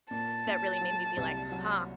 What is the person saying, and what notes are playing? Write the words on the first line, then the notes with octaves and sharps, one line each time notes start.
that really made me be like, "Huh,
A#2 A5
A#2
F#3
C2
F#3